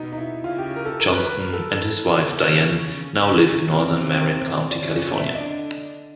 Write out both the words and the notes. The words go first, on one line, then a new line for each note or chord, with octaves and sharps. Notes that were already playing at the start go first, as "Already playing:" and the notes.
Johnston and his wife Diane now live in northern Marin County, California.
Already playing: B2 B3 D#4
D#4
E4
C#3 C#4 F4
G4
A#4
A4
A#4
B4
B4
A#4
A4
C#3 C#4
C#3 C#4
C3 C4 A#4
D5
C#3 C#4 C#5
D5
E5
D3 D4 D#5